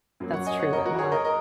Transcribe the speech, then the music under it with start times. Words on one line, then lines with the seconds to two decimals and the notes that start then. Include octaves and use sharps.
that's true that not
0.20 F#2 F#3 A#3
0.33 C#5 F#5
0.46 D#5 G#5
0.59 C#5 F#5
0.73 A#4 D#5
0.86 F#4 A#4
0.98 G#4 C#5
1.12 A#4 D#5
1.25 A#4 D#5